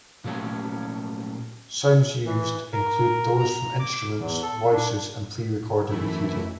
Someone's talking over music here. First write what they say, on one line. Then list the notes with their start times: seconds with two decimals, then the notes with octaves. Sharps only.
Sounds used include those from instruments, voices, and pre-recorded material.
0.24 A#2 F#3 A3 C#4 G4
2.26 E3
2.73 A#4
3.39 A#5
3.79 D6
4.18 E2
4.42 A4
4.72 D4
5.90 F#2 E3 A3 E4